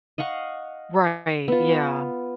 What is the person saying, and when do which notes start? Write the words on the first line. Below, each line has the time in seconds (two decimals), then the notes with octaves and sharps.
Right, yeah.
0.18 D#5 F5 F#5 C#6
1.48 B3 F4